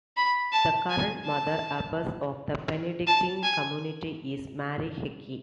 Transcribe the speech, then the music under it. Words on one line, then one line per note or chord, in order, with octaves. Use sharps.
The current Mother Abbess of the Benedictine Community is Marie Hickey.
B5
A5
G#5
A5
A5
G#5